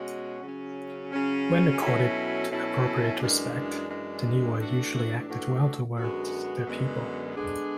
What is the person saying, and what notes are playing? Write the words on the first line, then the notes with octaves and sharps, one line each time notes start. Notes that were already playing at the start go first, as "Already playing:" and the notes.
When accorded appropriate respect, taniwha usually acted well towards their people.
Already playing: B2 G#3 C#4 F#4
C#3 F#3 C#4
C#3 F#3 C#4
B2 F#3 C#4 E4 A4
B2 F#3 C#4 E4 A4
F#2 E3 G#3 D4
F#2 E3 G#3 D4
A2 E3 A3 D4 F#4
A2 E3 A3 D4 F#4
F#2 D3 G#3 B3 F#4
F#2 D3 G#3 B3 F#4
D3 G#3 B3 D4 G#4